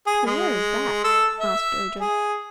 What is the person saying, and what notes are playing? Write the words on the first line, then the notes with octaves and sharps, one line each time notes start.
"And where is that?" asked Ojo.
G#4
G#3
A4
E5
G#4